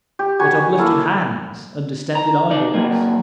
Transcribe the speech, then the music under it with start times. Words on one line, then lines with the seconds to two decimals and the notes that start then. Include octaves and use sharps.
What uplifted hands and distended eyeballs!
0.19 G4
0.39 F#4 G#5 B5 C#6
0.78 A#3 E4 A4 F5
2.15 A#5
2.51 D#4 D5
2.74 D#2 G#2 F#3 A#3